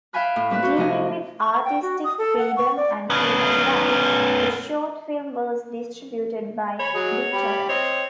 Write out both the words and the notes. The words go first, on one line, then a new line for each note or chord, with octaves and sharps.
Dealing with artistic freedom and human rights, the short film was distributed by BitTorrent.
E5 F5 G5 G#5 B5 F#6
A2
G3 C4 B4 E5 F#6
F#4 G6
C3 F3 A3 C4 D#5 G#5
C#6
G5
F#4
D#6
A4
F#5
C#6
D5
B3 C#4
C#5 G#5 B5
F#3 G#4 D#5
G4 B5
C4 C#5 D#5